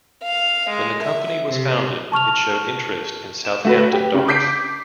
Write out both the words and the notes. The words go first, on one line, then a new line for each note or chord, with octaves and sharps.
When the company was founded it showed interest in Southampton Docks.
F5
G#3
E5
C3
A5 C#6 F6 F7
E7
A3 F#4 B4
G4
C#3
D6 G6 B6 C7 D7